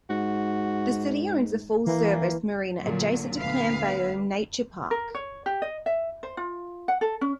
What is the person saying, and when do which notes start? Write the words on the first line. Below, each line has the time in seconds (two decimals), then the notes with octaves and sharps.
The city owns a full-service marina adjacent to Clam Bayou Nature Park.
0.10 G#2 F#4
1.86 E3 A#3
2.84 A#2 D3 F#3
3.40 D2 B3 B4 F5
4.91 A#4
5.15 C#5
5.46 G4
5.62 D#5
5.86 E5
6.23 C5
6.37 F4
6.88 F#5
7.01 A4
7.21 C#4